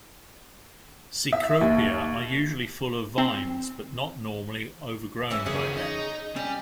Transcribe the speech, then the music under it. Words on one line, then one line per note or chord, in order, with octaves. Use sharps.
"Cecropia" are usually full of vines but not normally overgrown by them.
E5
D#2
C4
E3 C#4 E4
D#2 C#3 C#4 G#4
D#4 D#5
G3 C#4 G#5